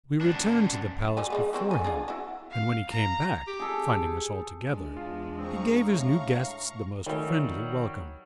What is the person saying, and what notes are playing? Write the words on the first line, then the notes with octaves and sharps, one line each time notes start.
We returned to the palace before him, and when he came back, finding us all together, he gave his new guests the most friendly welcome.
F#2 D4
F#3 G3 G#5
G3 G#3 B3
E3 F#3 C4
A4 G#5
D4 F4 G#4
E4 F#4
F5
A#5
G4
G#4 A4
G#3 D4
E2 F4 A5
C4 F5 A#5 C#6
A2
D#3 F#3 G3 A3 C#4